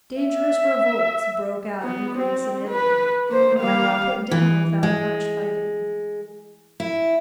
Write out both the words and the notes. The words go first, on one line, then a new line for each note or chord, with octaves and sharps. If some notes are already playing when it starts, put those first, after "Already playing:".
Dangerous revolts broke out in Greece and Italy, and were not put down without much fighting.
E5
B3
C4
B4
A#3 C5
G3 F5
E3
G#3
E4